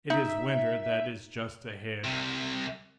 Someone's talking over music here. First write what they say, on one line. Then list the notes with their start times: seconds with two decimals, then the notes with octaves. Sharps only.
It is winter that is just ahead.
0.10 D#4 E5
2.04 C2 C3